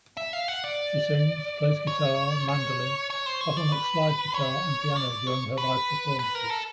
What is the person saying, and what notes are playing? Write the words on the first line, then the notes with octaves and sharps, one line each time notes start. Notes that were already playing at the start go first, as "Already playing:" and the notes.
She sings, plays guitar, mandolin, bottleneck slide guitar and piano during her live performances.
E5
F5
F#5
D5
C#5
C#5
C#5
C5
C#5
D5
B4
C#5
D5
C#5
B4
B4
A#4
A4